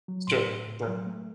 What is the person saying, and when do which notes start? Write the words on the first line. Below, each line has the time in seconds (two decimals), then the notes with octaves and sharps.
It's true, sure.
0.08 F#3
0.27 A2 C6
0.47 A2
0.67 A2
0.87 F#3
1.07 A3